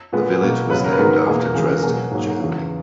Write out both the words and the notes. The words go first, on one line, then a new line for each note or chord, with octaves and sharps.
The village was named after Dresden in Germany.
A#2 G#3 B3
B2 A#3
C#3 F#3 B3 B4
A#4
B4
G#2 D#3 G#3 B3 A#4
E2 B2 A#3 G#4
A#4
C#3 E3 G#3 G#4
A#4
B2 F#3 A#3 G#4
G#2 F#3 A#3
E2 C#3 E3